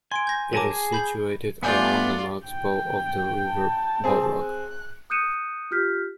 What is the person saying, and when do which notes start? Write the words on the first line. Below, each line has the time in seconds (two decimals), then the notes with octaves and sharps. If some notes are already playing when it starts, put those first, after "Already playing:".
It is situated around an oxbow of the River Bodrog.
0.12 G#5 C6 D7
0.27 G6 A#6
0.53 F#3 A#4 G#5 A5 D6
0.71 G#4
0.93 B5 G6 F#7
1.63 A3 B3 D4 F4 D5 G#5 G6
2.47 G5
3.49 A5
4.04 C4 G#4
4.42 F#6
5.10 D#6 F#6 G6 C#7 D#7 E7
5.71 F4 G4 F6 G6 B6